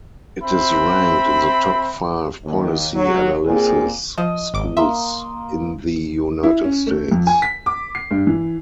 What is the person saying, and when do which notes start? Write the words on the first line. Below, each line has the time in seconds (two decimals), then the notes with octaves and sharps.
It is ranked in the top five policy analysis schools in the United States.
0.43 C4 E5 B5
2.44 D#2
2.94 F#3
3.45 A#2 C4 G#4
4.18 F3 D#5
4.54 G#1 D6 D7
4.77 A#3 E5 C6 D#6
6.43 E4
6.64 C#4
6.87 A3
7.12 F2
7.27 G#5
7.42 B6
7.66 D6
7.95 C7
8.11 G2
8.27 E3